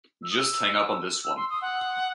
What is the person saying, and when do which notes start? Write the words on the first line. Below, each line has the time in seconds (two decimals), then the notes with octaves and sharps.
Just hang up on this one.
0.23 E6
0.31 D#6
0.38 E6
1.24 E6
1.37 C6
1.50 D#6
1.62 F#5